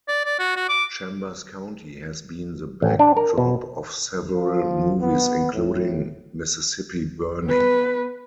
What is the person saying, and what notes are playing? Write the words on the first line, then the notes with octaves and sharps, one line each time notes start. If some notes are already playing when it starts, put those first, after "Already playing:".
Chambers County has been the back drop of several movies including Mississippi Burning.
D5
D5
F#4
F#4
D6
A1
D4
A#4
B2
F3
B3
A2
B3 B4